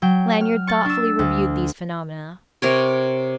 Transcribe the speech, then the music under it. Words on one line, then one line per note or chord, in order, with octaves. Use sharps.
Lanyard thoughtfully reviewed these phenomena.
F#3 G5
F6
C#6 A6
D4 E6
D2
C3 A#4 C#5